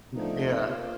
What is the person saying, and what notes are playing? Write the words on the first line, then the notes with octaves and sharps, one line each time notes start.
Y yeah,
D3 F3 A3 D#4
A#3 F4 C5